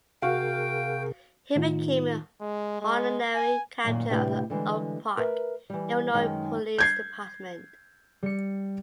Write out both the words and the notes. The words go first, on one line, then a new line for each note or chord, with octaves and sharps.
He became an honorary captain of the Oak Park, Illinois police department.
C3 F#4 G#4 A#4 F5 G5
A2 D#3 D#4 F4
G#3
G#3
G#5
F#2 A#2 D#3
D2 A2 C3 D4 G4 B4
D3 E3 G3 G#3
A#4 B4 E5
E3 G3
F#2 D#3 G#3 D#4
G6 G#6 C7
G3 C#7